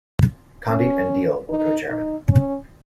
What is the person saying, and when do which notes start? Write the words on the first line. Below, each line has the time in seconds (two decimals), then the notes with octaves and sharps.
Condit and Deal were co-chairmen.
0.70 C#4
1.50 D#4
1.89 D#4
2.28 C#4